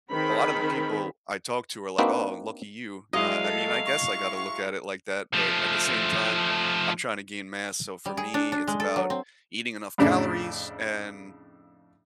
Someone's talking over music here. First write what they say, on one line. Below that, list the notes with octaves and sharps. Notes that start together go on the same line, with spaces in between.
a lot of the people I talk to are like, “Oh, lucky you.” I I mean, I guess I got to look at it like that, but at the same time, I'm trying to gain mass, so for me, it's about eating enough calories and
D#3 C4 G#4 A#4 B4 B5
A#3 C4 D4 D#4 F#4 B4
F#3 G#3 E4 D#5 F5
A4
C#6
F3 A3
G3
G#4
D4
D4
G#3
A4
F#3
C4
F2 A2 C#3 D4